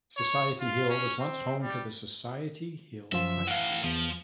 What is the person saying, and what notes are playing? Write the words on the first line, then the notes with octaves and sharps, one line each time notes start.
Society Hill was once home to the Society Hill High School.
C#5
F4
C#4
C4
G3
F#2 F3 F4 E5
A2 E3 F5 F#5
E2 F3